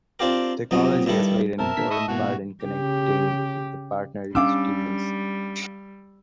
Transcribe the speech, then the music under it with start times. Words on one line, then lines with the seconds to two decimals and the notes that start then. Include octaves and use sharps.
Technology has played an important part in connecting the partner institutions.
0.19 C4 D4 F4 G4 A#4
0.71 B1 F2 C3 F#3 D#5
1.06 G2 D#3 E4 A4
1.59 F#2 B2 C4 A#4 E5 A5
1.77 A#2 D3 B6
1.91 D#5 E5 B5 C#6 D#6
2.08 G#2 B2 E3 A#3 F#4
2.64 C#3 G4
4.35 G3 C#4 D4 F5 D6 E6